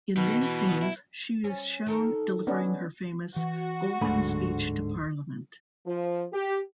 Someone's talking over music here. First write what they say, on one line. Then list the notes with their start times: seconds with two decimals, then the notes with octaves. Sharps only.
In these scenes, she is shown delivering her famous Golden Speech to Parliament.
0.17 B2 D#3
0.42 E3
0.68 C#2 B3
0.82 E4
1.44 C#4
1.86 D#3 A4 A#4
2.47 B3 C#4 D4
3.36 E3 F#4
4.01 D1 G#2 D3 G#3 A3 G#5 B5
5.86 F3
6.33 G4